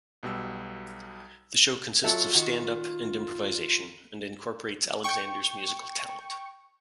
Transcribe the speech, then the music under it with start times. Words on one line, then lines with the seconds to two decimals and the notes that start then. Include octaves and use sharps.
The show consists of stand-up and improvisation and incorporates Alexander's musical talent.
0.23 B1 B2 G3 E6
2.04 F#3 F4 A4 E5
2.34 D#3 F#4
5.04 G5 C#6